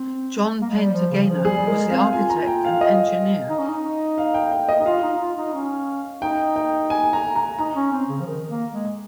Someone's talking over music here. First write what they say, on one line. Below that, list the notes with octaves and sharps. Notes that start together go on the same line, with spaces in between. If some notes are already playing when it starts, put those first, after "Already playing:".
John Painter Gaynor was the architect and engineer.
Already playing: C4
A#3
G#3
G3
F3
C#3
F3
G3 G#4
G3
G#3 A#4
C4 F5
F4 G#5
A#5
G5
F5
D#5
D#4
C#4
D#4
F5
G5
G5
D#5
D#4
F4 F5
D#4
F4
D#4
C#4
D#4 G5
G5
G#5
A#5
A#5
D#4 A#5
C#4
C4
C#3
F3
D#3
A#3
G#3